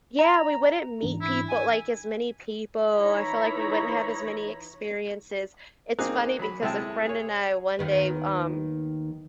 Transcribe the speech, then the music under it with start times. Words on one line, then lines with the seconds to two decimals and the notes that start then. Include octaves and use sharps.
Yeah, we wouldn't meet people like, as many people, I feel like we wouldn't have as many experiences. It's funny because a friend and I, one day, w um
0.19 A#5
1.02 G#2 E3 D4
1.21 E4
1.49 G#5
2.97 E3 D#4 E4 C#5 A#5 B5
5.99 A#3 C4 D#4 G#4 D6 F#6
6.39 F#3 B5
6.62 C3 G#3 A3 E4 G5 A5
7.05 G#4 C#5
7.79 D#2 D#3 B3